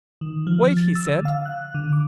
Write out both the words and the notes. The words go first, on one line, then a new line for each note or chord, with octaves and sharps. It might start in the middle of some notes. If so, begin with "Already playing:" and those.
"Wait!" he said.
D#3
F3
A6
E6
D3
F5
F#6
D3
D6